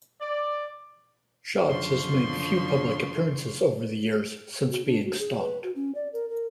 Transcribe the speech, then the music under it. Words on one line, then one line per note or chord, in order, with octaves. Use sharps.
Chaves has made few public appearances over the years since being stalked.
D5
F#2 D3 F3 C6 C#6
F#4
D4
F#4
G#4
B4
F#4
C#4
D5
A#4
A#4